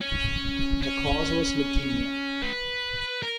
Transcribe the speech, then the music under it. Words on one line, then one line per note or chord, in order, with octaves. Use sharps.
The cause was leukemia.
C#4
C#4
B4
A#4